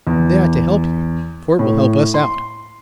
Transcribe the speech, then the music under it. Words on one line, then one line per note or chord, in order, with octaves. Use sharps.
They ought to help you, for it will help us out.
E2
A2
C6